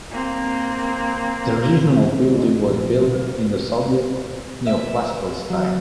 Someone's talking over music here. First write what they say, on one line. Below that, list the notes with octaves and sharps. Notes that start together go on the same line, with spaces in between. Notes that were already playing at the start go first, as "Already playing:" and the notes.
The original building was built in the Soviet neoclassical style.
A#3 C4
A#1
B1
E5
F#3